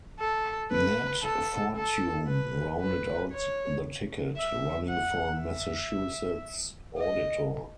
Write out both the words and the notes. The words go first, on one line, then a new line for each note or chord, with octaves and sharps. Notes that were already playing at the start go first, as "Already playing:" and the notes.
Nat Fortune rounded out the ticket, running for Massachusetts Auditor.
A4
B4
A4
A4
B4
B4
C#5
E5
F#5
E5
D#5